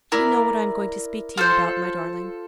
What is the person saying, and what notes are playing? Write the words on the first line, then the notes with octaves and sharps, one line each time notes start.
"Do you know what I am going to speak to you about, my darling?"
E4 A#4 D5
F4 A4 C5